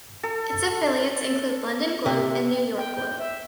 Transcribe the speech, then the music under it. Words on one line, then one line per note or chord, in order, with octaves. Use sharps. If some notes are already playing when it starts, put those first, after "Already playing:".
Its affiliates include London Globe and New York Globe.
A4
C3
G5
G6
E5